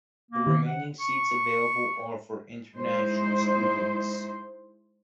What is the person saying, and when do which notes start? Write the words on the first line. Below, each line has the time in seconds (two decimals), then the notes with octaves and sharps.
The remaining seats available are for international students.
0.31 A#3
0.47 D#3
0.67 F#5
1.01 C#6
2.75 G#3 D#4 E4 C5